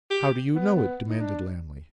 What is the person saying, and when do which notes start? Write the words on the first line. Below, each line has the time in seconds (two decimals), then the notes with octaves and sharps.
'How do you know it?' demanded Lammle.
0.10 G4
0.55 B3
0.76 B3
1.09 D#4
1.20 D4